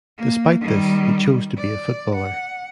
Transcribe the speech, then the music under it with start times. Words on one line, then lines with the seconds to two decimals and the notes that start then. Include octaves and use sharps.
Despite this, he chose to be a footballer.
0.18 A#3
0.61 D#3 G3
1.57 D5
2.15 F#5